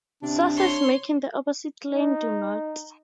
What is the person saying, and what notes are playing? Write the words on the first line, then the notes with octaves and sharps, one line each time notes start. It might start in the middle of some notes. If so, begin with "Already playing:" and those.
Sources making the opposite claim do not.
C3 D4
C#5 C6
D#4